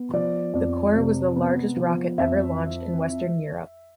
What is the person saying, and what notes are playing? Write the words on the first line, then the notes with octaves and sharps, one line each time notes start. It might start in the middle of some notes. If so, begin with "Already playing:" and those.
The Cora was the largest rocket ever launched in Western Europe.
Already playing: B3
F3 D5
F2 D5
C3
B3
F3
F2 E5